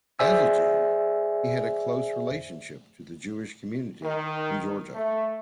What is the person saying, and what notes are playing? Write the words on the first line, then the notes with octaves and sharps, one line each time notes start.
As a Jew, he had a close relationship to the Jewish community in Georgia.
G#4 C5 D5 E5 G#5 E6
D#3
A3